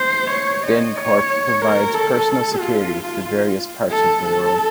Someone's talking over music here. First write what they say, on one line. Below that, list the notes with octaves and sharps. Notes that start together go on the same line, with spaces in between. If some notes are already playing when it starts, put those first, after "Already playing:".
DynCorp provides personal security throughout various parts of the world.
Already playing: C5
C#5
D#5
C#5
A#4
A4
F4
A4
A4